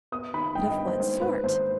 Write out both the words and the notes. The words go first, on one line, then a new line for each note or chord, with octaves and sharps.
"But of what sort?"
B3 D#6
D#3 B5
G2 G5
D#5
B3
C5
G#2 C5
G#2 B4
G#1 C5